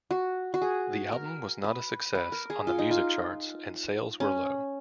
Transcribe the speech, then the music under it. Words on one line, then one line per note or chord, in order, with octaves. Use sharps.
The album was not a success on the music charts and sales were low.
F#4
F#4
G#4
A#4
B4
B4
A#4
G#4
F4
D#4
F4
C#4